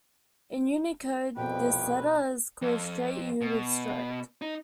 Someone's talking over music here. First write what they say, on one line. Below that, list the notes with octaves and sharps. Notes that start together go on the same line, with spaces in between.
In Unicode, this letter is called "Straight U with stroke".
C2 F2 B2 B4 G5
F2
B2
D#4